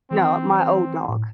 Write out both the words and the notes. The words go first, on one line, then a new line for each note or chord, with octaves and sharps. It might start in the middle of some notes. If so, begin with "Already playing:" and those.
No, my old dog.
E3 C4
C4
A2